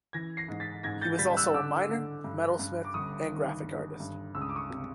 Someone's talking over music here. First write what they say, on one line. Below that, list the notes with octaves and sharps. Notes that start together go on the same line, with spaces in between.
He was also a miner, metalsmith, and graphic artist.
E3 G#6 A#6
A#6 C7
G#2
A6 B6
G#2 G#6 A#6
G6 A6
G3 A6 B6
E6 F#6
D3 D6 E6
D3
G2
G2
D6
G1 C#6 D#6
D#3
G1
G2
C#2 E6
D#6
D6
C#6 D#6
C3